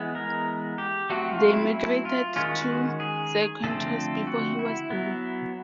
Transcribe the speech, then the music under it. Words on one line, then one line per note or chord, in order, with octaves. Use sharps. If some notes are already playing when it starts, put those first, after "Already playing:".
They migrated to Zakynthos before he was born.
Already playing: E3 G#3 B3
A#4
G4
F#3 A3 C4 F#4
F4
E4
E4
F4
D#3 G#3 C#4 F4
F#4
G#4
D3 F3 A3 C4 A4
F#4
E4
F#3 B3